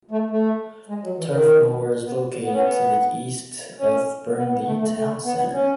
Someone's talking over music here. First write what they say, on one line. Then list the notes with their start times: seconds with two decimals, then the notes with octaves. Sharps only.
Turf Moor is located to the east of Burnley town centre.
0.11 A3
0.30 A3
0.89 G#3
1.03 F#3
1.18 E3
1.32 D#3
2.05 B3
2.44 B3
2.53 C#4
2.61 B3
3.79 C#4
4.37 B3
4.52 B3
4.67 A3
4.80 A3
4.95 A3
5.24 B3
5.53 C#4